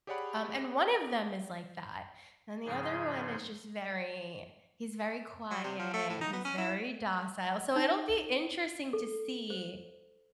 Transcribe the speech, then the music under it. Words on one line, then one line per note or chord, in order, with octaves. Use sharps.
Um, and one of them is like that, and the other one is just very he's very quiet, he's very docile, so it'll be interesting to see,
G4 G#4 C#5 D5 F#5 B5
G#2 C#3 F3 G#4
F#3
C3
F3
A3
A2
D#4
B3
C#4
E4
D#4
A4
C5